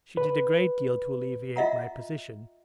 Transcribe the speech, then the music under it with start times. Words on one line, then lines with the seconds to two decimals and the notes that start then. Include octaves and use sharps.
She did a great deal to alleviate my position.
0.17 B4
1.56 F4 D#5 E5 F#5 A#5